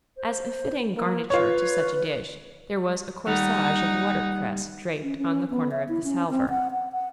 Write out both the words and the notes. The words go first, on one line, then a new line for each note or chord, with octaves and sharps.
As a fitting garniture to such a dish, there was a corsage of watercress draped on the corner of the salver.
C5
A#3
F4 B4 C#5
D#2 G3 D#4 F#5
C#4
C#4
B3
E5
E4
C#4
C4
F#5
F#5
F#5